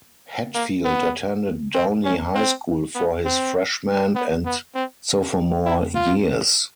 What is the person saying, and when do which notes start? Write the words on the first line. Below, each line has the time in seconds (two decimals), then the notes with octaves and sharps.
Hetfield attended Downey High School for his freshman and sophomore years.
0.54 A#3
0.85 B3
1.74 C4
2.04 C#4
2.34 C4
2.95 B3
3.25 C4
4.15 B3
4.46 B3
4.75 C4
5.65 E4
5.95 F4